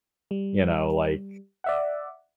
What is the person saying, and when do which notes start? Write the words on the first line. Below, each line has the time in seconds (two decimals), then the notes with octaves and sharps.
You know, like
0.31 G3
1.64 D5 E5 F#5